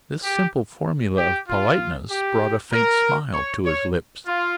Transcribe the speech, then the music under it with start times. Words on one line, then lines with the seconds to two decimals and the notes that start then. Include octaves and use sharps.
This simple formula of politeness brought a faint smile to his lips.
0.24 G4
1.17 G4
1.48 F4
2.10 G4
2.72 A#4
3.33 C#5
3.64 C#5
4.26 F4